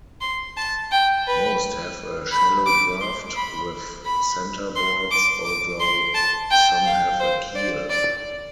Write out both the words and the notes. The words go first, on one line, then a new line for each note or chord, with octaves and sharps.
Most have a shallow draft, with centreboards, although some have a keel.
C6
A5
G5
B4
B5
D6
C6
B5
B5
C6
D6
D6
C6
A5
G5
F5
C5
D5
D5